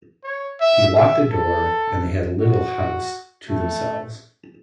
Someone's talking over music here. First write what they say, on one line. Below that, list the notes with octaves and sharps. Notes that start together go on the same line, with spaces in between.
He locked the door, and they had the little house to themselves.
C#5
E5
E5
A4
F#4
A3